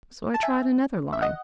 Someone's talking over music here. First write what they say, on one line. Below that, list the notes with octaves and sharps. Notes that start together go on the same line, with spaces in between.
So I tried another line.
A5
E5 G#5
E5
D#5 F#5